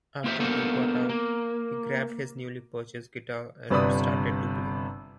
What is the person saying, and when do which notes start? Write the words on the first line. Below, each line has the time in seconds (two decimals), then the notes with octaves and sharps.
After he got out, he grabbed his newly purchased guitar and started to play.
0.24 A#3 C4 F4 B4 C5 E5
0.40 A#3 B3 D4 A4 A#4 C5
1.09 A#3
3.70 G1 C3 B4 D5 B5 D#6